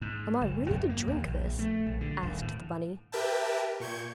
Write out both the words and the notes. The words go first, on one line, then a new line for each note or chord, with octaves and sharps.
"Am I really to drink this?" asked the bunny.
G#2
F#1
F#2
A#3
D#2
A#1
A3
A#1
D3
D#1
A2
G4 A#4 B4 E5 G5 A5
A#2 C#6 G6 G#6